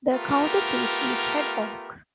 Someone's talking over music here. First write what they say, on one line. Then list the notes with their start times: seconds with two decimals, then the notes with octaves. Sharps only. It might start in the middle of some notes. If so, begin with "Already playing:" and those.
The county seat is Red Oak.
0.13 A3 B3 F4 G4 A#4